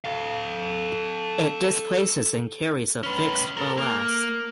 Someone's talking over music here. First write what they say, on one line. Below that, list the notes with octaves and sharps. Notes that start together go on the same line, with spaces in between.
It displaces and carries of fixed ballast.
A4 F5
C#4 B4
A4 A#4
A#3